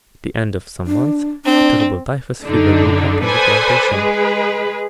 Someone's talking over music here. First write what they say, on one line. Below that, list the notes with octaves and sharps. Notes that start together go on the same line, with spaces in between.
At the end of some months a terrible typhus fever broke out in the plantation.
D4
C4 D4
F#2 D3 D4 D#4
A4 B4 C5 D5 G#5 D#6
G#3 G#4 B4